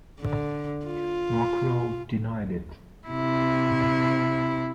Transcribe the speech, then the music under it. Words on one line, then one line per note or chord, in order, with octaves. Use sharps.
Rockwell denied it.
D3
F4
C3 E4